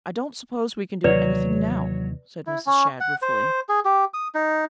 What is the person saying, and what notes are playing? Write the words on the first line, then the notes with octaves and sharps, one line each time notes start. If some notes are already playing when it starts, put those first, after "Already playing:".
"I don't suppose we can do anything now," said Mrs. Shadd, ruefully.
D#2 C3 E3 F#3 B4 C#5 D5
E4
C#4
F#5
C5
G#4
G4
D#6
D#4